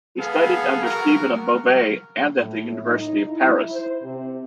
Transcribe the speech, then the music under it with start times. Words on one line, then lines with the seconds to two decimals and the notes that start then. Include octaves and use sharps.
He studied under Stephen of Beauvais and at the University of Paris.
0.19 B3 G#4 A4 F5
0.82 F#4 A#4
2.38 A2
2.86 D#4
3.28 E4
3.71 C5
4.02 C3